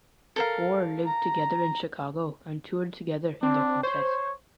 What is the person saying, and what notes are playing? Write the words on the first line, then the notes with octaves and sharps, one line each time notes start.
The four lived together in Chicago and toured together in their quintet.
A4 A#4 F5
A#5
C4 D4
C5 C#5